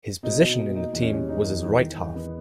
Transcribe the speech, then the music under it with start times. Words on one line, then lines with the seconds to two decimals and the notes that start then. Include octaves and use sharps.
His position in the team was as right-half.
0.23 B2 D#4
0.41 B2
0.58 A#3
0.75 A#3 D#4
0.93 E2
1.02 C#4
1.10 G3
1.27 E2 D#4
1.46 E2
1.63 D#3
1.81 D#3
1.98 E2
2.15 B3